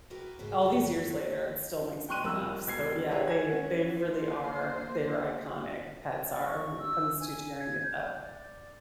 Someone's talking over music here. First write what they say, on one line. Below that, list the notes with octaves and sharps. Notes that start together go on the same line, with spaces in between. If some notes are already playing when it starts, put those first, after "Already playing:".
all these years later, it still makes me laugh, so, yeah, they they really are, they're iconic- pets are- when it comes to tearing it up.
E4 F#4 G4 A#4 B4
G#2 C#3 B4 C5
F#2 C#3 C4 C#4 A5
G5 C6 C#6 F#6 D#7
F2 G3 A#4 E6
E1 G#6 C7
G4 G#4 A#4 B4 C#5 E5
G#5 G#6
C#4 F#5
A#3 C5
D5
C#6
E6
G#5
G#6
G6
D5